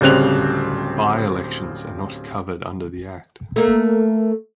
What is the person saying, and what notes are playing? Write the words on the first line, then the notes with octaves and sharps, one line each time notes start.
By-elections are not covered under the act.
D1 C#3 G3 C4 F#6 F7
A3 A#3